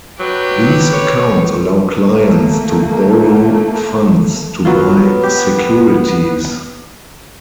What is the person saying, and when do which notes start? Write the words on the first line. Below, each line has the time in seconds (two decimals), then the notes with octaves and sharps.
These accounts allow clients to borrow funds to buy securities.
0.20 F#3 G4 B4
0.93 C#5
1.94 A3 A#3
4.65 F#3 B3 F4
5.23 G4